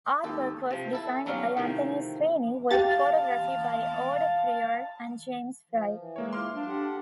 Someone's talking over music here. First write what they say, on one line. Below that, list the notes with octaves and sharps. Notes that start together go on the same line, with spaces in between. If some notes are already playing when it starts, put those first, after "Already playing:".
Artwork was designed by Anthony Sweeney with photography by Aude Prieur and James Fry.
G#1 D#2 A4
C3 F3
E4 A4 A5
B1 F#3 G3 C#4 F5
A2 C3 D#3 F3
G4 F5 A5 A6
F3
E3
G#3 A#3 C#5
E4 F4 C6 D6 F6
F#3 D4 F5
G4 A4 F#5